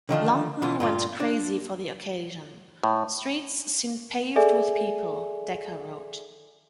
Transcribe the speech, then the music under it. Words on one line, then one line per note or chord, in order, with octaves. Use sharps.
London went crazy for the occasion: “Streets seemed paved with people,” Dekker wrote.
D3 D#3 F3 A3
B2 E3 F4
G2 A#2 F4
D4 D5
A2
G#4 A4 D5 E5 G#5